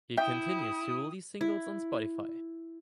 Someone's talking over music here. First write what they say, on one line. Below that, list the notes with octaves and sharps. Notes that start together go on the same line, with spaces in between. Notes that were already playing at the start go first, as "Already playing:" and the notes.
He continues to release singles on Spotify.
E4 E5 G5 D#6
E4